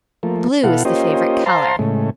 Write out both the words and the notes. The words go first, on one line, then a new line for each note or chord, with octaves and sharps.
Blue is the favorite color.
F3 A3 A#3
B2 E4 A4 F5 F#5
A#3 C#4 F4 G4 C5 D#5
C5 F5 A5 A#5 C6
A2 C#3 G#3 A3